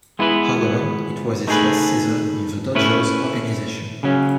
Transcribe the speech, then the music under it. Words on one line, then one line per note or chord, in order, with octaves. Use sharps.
However, it was his last season in the Dodgers organization.
G#3 B3 E4 B4
A3 D#4 G#4 B4
A3 C#4 E4 B4
C#3 F#3 C#4